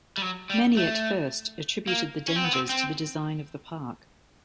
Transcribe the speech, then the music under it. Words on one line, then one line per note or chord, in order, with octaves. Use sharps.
Many at first attributed the dangers to the design of the park.
G3
F#3
G3
A3
A#3
C#4
C4
B3
C4
C4